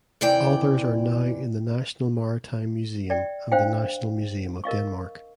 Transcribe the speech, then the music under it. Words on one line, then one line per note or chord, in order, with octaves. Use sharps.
Others are now in the National Maritime Museum and the National Museum of Denmark.
D#2 C3 E3 D5 G5
D5 E5 G5
D4 C5 F5 G5
A#4 D#5 F5 C#6